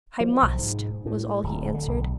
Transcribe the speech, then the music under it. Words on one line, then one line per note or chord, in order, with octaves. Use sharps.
'I must,' was all he answered.
F3
B1
G#2
A2
D1
D3
B1